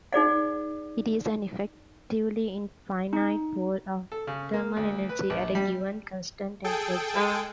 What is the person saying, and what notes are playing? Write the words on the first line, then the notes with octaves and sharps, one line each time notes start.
It is an effectively infinite pool of thermal energy at a given, constant temperature.
D#4 G#4 D5 F#5
D#4
A4
C#3
A#3
D2
B4
A#1
G3
G#4 A4 G5
G#3